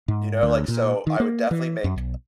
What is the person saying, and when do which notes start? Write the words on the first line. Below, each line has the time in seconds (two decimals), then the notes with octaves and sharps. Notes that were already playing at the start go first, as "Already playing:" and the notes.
you know like, so I would definitely make a
0.08 G#2
0.43 D2
0.68 A#2
1.07 D#3
1.20 A#3
1.51 E3
1.84 F#2
1.96 B1